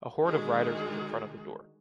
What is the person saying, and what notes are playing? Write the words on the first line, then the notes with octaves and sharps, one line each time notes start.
A horde of riders was in front of the door.
D3 D#3 G#3 F#4 G#4